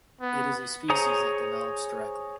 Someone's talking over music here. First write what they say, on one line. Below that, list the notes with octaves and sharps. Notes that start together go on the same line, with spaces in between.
It is a species that develops directly.
B3
G#4 C5 C#5 A#5 D#6